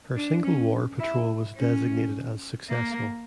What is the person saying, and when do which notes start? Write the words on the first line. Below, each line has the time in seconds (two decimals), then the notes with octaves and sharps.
Her single war patrol was designated as "successful".
0.16 D4
0.44 C#4
1.00 E4
1.57 C#4
2.69 A#3